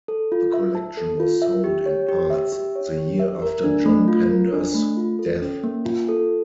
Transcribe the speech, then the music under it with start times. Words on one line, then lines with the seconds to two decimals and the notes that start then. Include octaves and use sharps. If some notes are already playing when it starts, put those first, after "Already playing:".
The collection was sold in parts the year after John Pender's death.
0.08 A4
0.32 F4
0.54 E5
0.75 A5
0.97 A4
1.20 F4
1.42 E5
1.64 G4
1.86 C#5
2.09 G4
2.30 E5
2.52 G4
2.76 C#5
2.97 G4
3.20 E5
3.42 A#4
3.64 D4
3.86 A3
4.08 F4
4.30 A#4
4.53 D4
4.75 A3
4.97 F4
5.19 A4
5.42 C#4
5.64 A#3
5.85 F4
6.09 A4